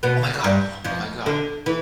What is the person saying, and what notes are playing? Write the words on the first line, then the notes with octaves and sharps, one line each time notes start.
Oh my god. Oh my god.
B2 B3
G2 G3
F2 F3
D3
E3